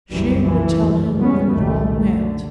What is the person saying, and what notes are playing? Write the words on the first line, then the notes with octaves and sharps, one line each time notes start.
She would tell him what it all meant.
F#1 C2 F#2 E3 G3
E3 F3
F#1 E2 G2
F#3 G#3 B3 C#4
F#1 C2 F#2 A#2 D#3 A3
D3